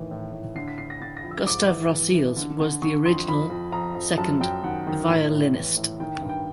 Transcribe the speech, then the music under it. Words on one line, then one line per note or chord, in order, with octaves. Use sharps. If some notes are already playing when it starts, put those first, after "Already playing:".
Gustave Rosseels was the original second violinist.
Already playing: A2 D#3 E3
A2
A2
D3 C7
B6
D3 C7
A#6
D3 A6
A#6
F2
E6
G#2 D6
E3
E3
E3
D3
D3
D3 C#6
F2 C6
F2 B5
F2
F2 A#5
F2
F#2 A5
F#2 G5
D#3 F#5
D#3
A2
A2
E3
A2
D#3 G5
G5
G2
G5